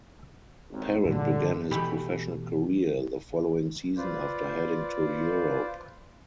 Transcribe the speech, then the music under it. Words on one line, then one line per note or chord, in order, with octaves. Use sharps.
Parent began his professional career the following season after heading to Europe.
G#1 D#2
G2 A#2 D3 G3
B2 E3 A3 G4 B5
F4 B4 C5 D5